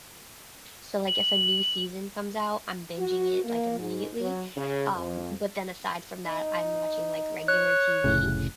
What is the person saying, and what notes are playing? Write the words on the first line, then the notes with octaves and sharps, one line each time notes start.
So, like, if a new season comes out, I'm binging it, like, immediately, um, but then aside from that, I'm watching, like, regular TV,
F#7
F#4
A#3
G#2
F#3
C#3
F2
D#4
C#5 F#6
F1 A2 C#3